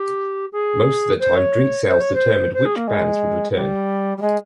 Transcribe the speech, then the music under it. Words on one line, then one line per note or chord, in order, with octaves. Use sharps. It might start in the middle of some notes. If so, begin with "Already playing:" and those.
Most of the time drink sales determined which bands would return.
Already playing: G4
G#4
C5
C#5
C5
C#5
C5
C5
G#4
A#3
G#3
G3
G3
G#3